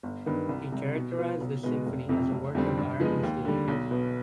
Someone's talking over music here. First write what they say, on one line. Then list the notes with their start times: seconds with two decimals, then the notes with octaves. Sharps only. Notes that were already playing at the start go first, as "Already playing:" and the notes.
He characterized this symphony as a work of "iron and steel".
0.03 G1
0.26 G2 D#3 B3
0.49 C2
0.72 C3 G3
0.95 B2
1.18 B3 F4
1.40 B1
1.63 B2 G#3 B3
1.87 F1
2.09 F2 C3
2.32 F1
2.55 F2 D3 G3 C4
2.77 G2
3.00 F3 G#3 B3 D#4
3.23 D#2
3.45 D3 G3
3.68 B1
3.91 B2 B3